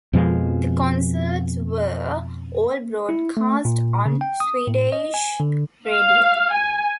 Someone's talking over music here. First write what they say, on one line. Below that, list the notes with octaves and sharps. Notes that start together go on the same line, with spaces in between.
The concerts were all broadcast on Swedish radio.
F2 B2 F3 G#3
E4
A3
A#2
C#3
G5
D#6
A2
D#5
G#5
D3
F5
G#5